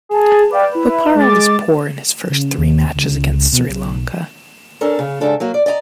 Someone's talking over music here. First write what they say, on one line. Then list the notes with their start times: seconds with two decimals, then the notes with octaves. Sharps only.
Bopara was poor in his first three matches against Sri Lanka.
0.09 G#4 A5
0.50 B4 D5 F5 G5
0.72 E4 B4
1.15 G#3 D6 A6
2.30 C#3
2.58 D#2
2.95 C#2
3.52 B2
3.69 B1
4.81 C#4 D4 A4 A#4
4.99 C#3
5.21 G#2 C#3 D4 A4
5.40 F#3 A#3 F#4
5.54 D5
5.66 D5 D#5 G5 A#5